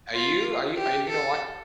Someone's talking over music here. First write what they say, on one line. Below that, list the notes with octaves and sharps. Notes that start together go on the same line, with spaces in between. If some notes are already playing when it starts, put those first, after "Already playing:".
Are you are you are you gonna wa
F4
G4
A4